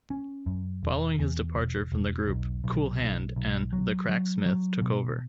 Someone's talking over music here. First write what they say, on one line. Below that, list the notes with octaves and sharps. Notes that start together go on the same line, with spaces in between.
Following his departure from the group, Cool Hand and The Cracksmith took over.
C#4
F#2
E1
E2
E1
E1
B1
B1
B1
B1
F#3
F#3
F#3
B2